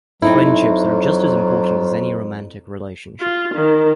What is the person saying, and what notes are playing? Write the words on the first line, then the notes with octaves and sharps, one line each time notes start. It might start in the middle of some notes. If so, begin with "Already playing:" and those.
Friendships are just as important as any romantic relationship.
F2 F#3 C4 D#4 E4
F4
D#3